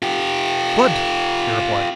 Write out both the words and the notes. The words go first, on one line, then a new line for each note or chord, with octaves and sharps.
"Good!" he replied.
F4 G4